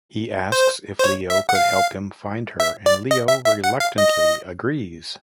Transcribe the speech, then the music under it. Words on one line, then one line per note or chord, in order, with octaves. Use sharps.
He asks if Leo could help him find her and Leo reluctantly agrees.
C5
C5
C#5
E5
F#5
F5
E5
D5
D#5
E5
E5
F#5
F5
D#5